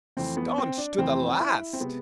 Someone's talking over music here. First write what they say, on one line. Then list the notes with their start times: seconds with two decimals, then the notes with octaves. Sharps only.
Staunch to the last!
0.17 F2 E3 A3 C4
0.37 B3
0.58 C4
0.78 D4
0.98 F2 E3 A3 C4
1.40 E4
1.73 C4
1.80 C3 G#3 B3